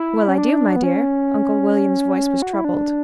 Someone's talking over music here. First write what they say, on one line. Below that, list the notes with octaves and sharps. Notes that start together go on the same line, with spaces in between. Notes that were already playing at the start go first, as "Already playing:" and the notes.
"Well, I do, my dear." Uncle William's voice was troubled.
Already playing: E4
C#4
D4
B3
C#4
F#4
E4
D4